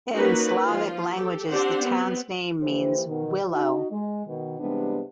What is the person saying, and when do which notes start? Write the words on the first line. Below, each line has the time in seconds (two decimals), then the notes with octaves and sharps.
In Slavic languages the town's name means "willow".
0.13 A#3 C#4 D#4 F#4 A#4 B4
0.65 F3 F4
1.16 G4 A4
1.51 C4 D4 G4 C5 D5 F#5
1.84 B3 C4
2.63 E3 F3 A#3 G4 C5
3.07 B2 D#3
3.52 D#4 F#4
3.91 G#3
4.27 B2 D#3
4.60 C3 E3 G3 G#3 B3 D4